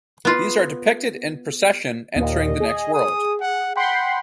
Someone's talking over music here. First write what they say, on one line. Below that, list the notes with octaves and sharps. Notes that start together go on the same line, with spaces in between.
These are depicted in procession entering the next world.
B3 F4
D#2 A#2 D#5
G#4
D#6
F#5
F#5 G5 B5 C6